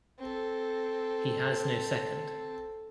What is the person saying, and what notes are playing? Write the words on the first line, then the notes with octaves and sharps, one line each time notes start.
He has no second.
C4 A4